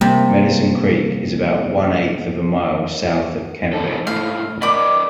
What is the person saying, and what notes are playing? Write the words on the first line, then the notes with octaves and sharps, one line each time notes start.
Medicine Creek is about one eighth of a mile south of Kennebec.
C3 G3 A#3
E2 D#4 A4
G#2 A3 E4 F5
A#4 D5 D#5 B5 D6